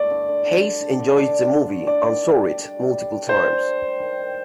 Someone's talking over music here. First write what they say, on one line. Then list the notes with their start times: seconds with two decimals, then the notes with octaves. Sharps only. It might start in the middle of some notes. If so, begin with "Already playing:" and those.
Haise enjoyed the movie and saw it multiple times.
Already playing: A3 D5
0.10 D3
0.28 D3
0.46 D3
0.63 D3
0.81 D4
0.99 D3
1.16 D3 D5
1.34 D4
1.51 D3
1.70 A3
1.87 A4 D5
2.05 D#3
2.24 G3
2.41 D4
2.59 D4
2.76 G3
2.93 G3
3.12 D4
3.29 D4 C5
3.47 G3
3.64 A4
3.83 G3
4.01 D#3
4.19 D#3